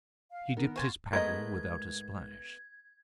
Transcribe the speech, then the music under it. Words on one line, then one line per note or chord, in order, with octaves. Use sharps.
He dipped his paddle without a splash.
F5
D#3 B3 A#4
C5 F5 G#5 C#6 A6
G#2 G#3 A3 B3 A#4 D#5 G#6